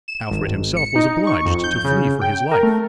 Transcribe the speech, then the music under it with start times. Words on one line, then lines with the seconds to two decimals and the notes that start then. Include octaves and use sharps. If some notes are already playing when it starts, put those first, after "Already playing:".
Alfred himself was obliged to flee for his life.
0.08 E7
0.31 G#1
0.77 C#7
0.96 D#4
1.27 C#6
1.45 F2
1.64 G6
1.84 C#3
2.21 G5
2.51 A#4
2.63 A3